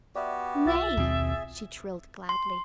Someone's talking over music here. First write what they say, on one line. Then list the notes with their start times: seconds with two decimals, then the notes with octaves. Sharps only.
"Nay!" she trilled gladly.
0.15 B3 F#4 G4 D5 E5
0.66 B1 F4 E5 A6
0.97 D#2 B2 C4 G#4
2.29 C6